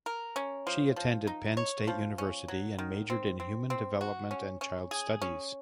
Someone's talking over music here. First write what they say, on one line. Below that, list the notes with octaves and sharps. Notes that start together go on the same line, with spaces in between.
She attended Penn State University and majored in human development and child studies.
A#4
C#4
F3
F3
D#4
C#5
F3
C#4
F#3
D#3
C4
C4
C4
F#4
C#4
C#4
G#4
C#4